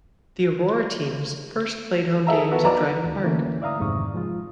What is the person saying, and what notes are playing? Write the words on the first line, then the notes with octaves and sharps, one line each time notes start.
The Aurora teams first played home games at Driving Park.
G#4 A4 E5 A#5
B3 F#4 A4
B1 B4 D5 A#5 D6 E6
D2
D3 E3 A3 A#3 C#4
D5 E5 F5 A#5 D#6
F2 G#2 C3 D#3 C#6 D#6
F3 G#3 F4